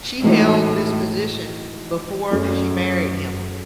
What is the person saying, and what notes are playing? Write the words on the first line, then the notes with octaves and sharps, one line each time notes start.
She held this position before she married him.
A2 E3 G#3 D#4 F#4
F#2 F#3 A3 C#4 G#4